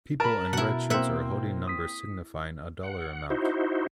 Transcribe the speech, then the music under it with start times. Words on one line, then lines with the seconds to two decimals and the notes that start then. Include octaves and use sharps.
People in red shirts are holding numbers signifying a dollar amount.
0.20 A#4 A5 B5
0.53 B2 E4 F#5
0.90 A#3 C4 E5 F#5
1.68 D#6 B6
2.83 F#5
3.30 D#4 E4 F#4 C5